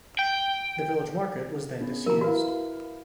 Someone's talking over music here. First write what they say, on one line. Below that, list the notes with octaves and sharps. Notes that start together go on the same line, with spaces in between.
The village market was then disused.
G5
C#3 B3 C#4
E3 F#3 A#3 A#4 A#5
E4 F#4 B4 F5